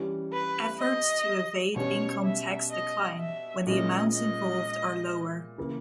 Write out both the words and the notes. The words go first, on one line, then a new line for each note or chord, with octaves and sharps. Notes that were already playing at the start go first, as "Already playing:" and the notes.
Efforts to evade income tax decline when the amounts involved are lower.
Already playing: E3 G3 C#4
B4
D#5
B2 G3 C#4 C#5
E5
D#5
E5
A#2 G#3 C#4 E4 G#4 D#5
D#5
C#3 E3 A#3